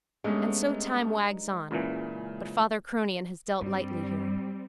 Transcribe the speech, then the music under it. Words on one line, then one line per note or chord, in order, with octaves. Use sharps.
And so time wags on: but father Cronion has dealt lightly here.
G2 G#3 A3 B3 C#4 D#4
C#2 A#2 C#3 E3
G2 G3 C4